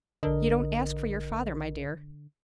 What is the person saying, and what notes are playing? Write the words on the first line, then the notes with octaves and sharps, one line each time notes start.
"You don't ask for your father, my dear."
A#1 D3 A#4 D#5